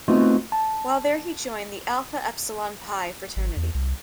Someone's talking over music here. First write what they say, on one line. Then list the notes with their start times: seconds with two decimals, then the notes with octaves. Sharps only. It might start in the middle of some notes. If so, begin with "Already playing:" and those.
While there he joined the Alpha Epsilon Pi fraternity.
0.08 A3 B3 C4 D#4 F4 F#4
0.52 A5
3.36 G#1
3.56 E2
3.74 C2